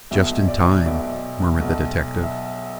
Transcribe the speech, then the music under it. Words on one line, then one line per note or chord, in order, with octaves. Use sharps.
"Just in time," murmured the detective.
B1 B2 E5
D5
B1 B2 E5
B1 B2
E5